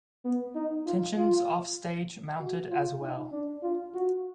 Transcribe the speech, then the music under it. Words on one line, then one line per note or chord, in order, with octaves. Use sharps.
Tensions offstage mounted as well.
B3
D#4
F4
F4
F#4
F4
D#4
D4
F4
F#4